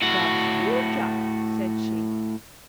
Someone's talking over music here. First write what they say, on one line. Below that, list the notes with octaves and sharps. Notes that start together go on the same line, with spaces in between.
"That's true, Jack," said she.
A2 F#4